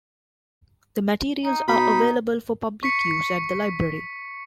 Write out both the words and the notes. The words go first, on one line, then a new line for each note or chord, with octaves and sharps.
The materials are available for public use at the library.
D#4
B2 D#4 B5
C#6 B6 C#7